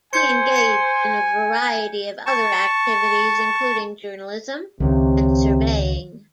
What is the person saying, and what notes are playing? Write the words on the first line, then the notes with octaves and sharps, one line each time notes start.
He engaged in a variety of other activities, including journalism and surveying.
C5 G#5 G6 G#6 C#7
C#7
A5 C#6
C#2 C3 D#3